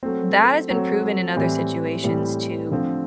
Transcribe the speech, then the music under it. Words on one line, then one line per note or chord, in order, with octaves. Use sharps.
that has been proven in other situations to
F#3 A3 C4
F#3 A3 C4
A2 E3 G3 C4
A2 E3 G3 C4
D3 F3 A3 C4